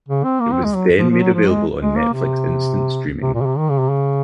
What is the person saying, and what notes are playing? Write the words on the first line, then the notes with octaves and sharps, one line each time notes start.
It was then made available on Netflix Instant Streaming.
C#3
C4
A#3
C4
G#3
F#3
F3
F3
F#3
F3
G#3
G#3
A#3
C3
C3
A#2
C#3
C3
D#3
C#3
C3
C#3